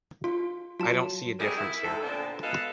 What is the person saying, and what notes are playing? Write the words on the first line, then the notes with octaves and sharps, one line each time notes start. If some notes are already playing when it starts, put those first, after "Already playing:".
I don't see the difference here.
F4
F#3 F4 A5
C3 G3 E4 F#4 G#4 A#4
E4
G#2 C3 C4 A4
A#2 D3 B3 C4 D4 A4
B2 G#3 A4 B4 D#5 F5